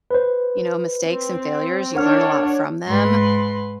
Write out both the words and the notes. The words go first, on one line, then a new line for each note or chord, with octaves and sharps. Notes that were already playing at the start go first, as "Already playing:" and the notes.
you know, mistakes and failures, you learn a lot from them.
B4 C5
C4
D4 A#4 C#5 F#5 F6
G#2 B4 C6